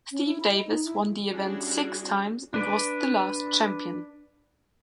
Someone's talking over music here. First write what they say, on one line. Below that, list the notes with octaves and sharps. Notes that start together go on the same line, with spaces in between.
Steve Davis won the event six times and was the last champion.
C#4
E4
B5
D#5
D#4
E4
G3 C#4 D4 E4 F#4 G#4
D4 B4 D5